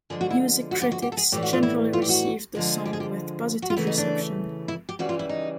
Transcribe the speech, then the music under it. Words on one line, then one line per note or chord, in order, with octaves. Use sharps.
Music critics generally received the song with positive reception.
D3 F3 G#3 G#4
F#4
E4
F#4
G4
F#4
G4
A4
G#4
A2 E3 G3 G4
F#4
F4
E4
F4
G4
F#4
D3 F3 G#3
G4
G#4
G4
F#4
F4
C#3 E3 A3 E4
D#4
D4
E4
G4
C#3 E3 G3 F#4
F4
E4
D#4